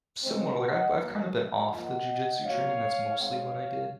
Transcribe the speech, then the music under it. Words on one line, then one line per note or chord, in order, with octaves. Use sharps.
similar, like, I've I've kind of been off the jujitsu training, that's mostly what I did,
C#3 G#3 C4
D#5 F#5
C3 D#3 F#3 A#3
A#2 F3 A#3 D#5 F#5
A#2 F#3 A#3 C#5 F5
D#3 G#3 C4 C#5 F5